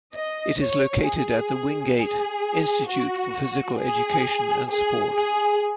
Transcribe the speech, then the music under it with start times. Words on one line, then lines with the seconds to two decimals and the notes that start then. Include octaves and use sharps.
It is located at the Wingate Institute for Physical Education and Sport.
0.15 D#5
0.61 C#5
1.06 G#4
1.98 G#4
2.88 F#4
3.79 G#4
4.70 G#4
5.16 G#4